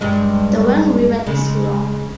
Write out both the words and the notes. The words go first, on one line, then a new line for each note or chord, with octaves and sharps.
The Wang River is long.
G2 G#3
C#3 G#3